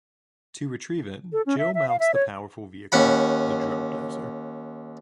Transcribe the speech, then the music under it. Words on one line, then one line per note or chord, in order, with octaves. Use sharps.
To retrieve it, Jill mounts the powerful vehicle, the Drill Dozer.
A4
C#4
E5
E5
F5
E5
C#5
D#2 C#4 F#5 B5